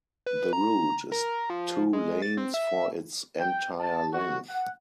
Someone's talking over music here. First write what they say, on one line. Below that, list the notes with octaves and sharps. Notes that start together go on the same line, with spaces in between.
The route is two lanes for its entire length.
B4
A#5
A#4
F3
G#3
A6
C4
E5
G5
A5
F#4
F#5